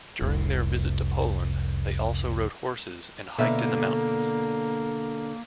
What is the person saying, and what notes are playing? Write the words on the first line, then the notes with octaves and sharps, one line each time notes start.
During their visit to Poland, they also rode horses and hiked in the mountains.
F1 C2
B2 D3 A#3 E5